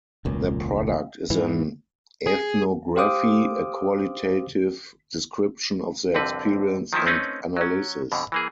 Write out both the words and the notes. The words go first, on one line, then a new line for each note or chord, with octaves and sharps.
Their product is an ethnography, a qualitative description of their experience and analyses.
E1 C#2 A#2
G#2 E3
G#4
G4 C5 F5 D6 D#6
C2 F2 D3 C4 B4
D#3 F3 D#4 E4
A3 C4 C#4 D#4 B4
F#3 C#4
F2 B2 D3
E3 A#3 G#4